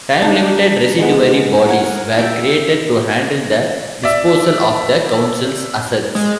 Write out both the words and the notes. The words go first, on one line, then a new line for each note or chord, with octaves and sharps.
Time-limited residuary bodies were created to handle the disposal of the councils' assets.
D4 D#4
G#3 B3
A#4 F#5 G#5
E5 G5
D5 E5
G#3